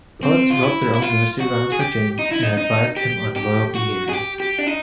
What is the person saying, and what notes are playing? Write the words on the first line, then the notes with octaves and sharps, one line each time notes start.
Poets wrote their own nursery rhymes for James and advised him on royal behavior.
C4
F4
E4
E4
F4
F#4
G#4
G4
D#4
E4
D#4
D#4
G4
G4
F#4
G#4
G4
G4
D4
D#4